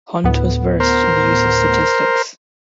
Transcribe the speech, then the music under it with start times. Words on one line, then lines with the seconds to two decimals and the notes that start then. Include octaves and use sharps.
Hunt was versed in the use of statistics.
0.24 D2 A2 B3
0.80 A#4 C5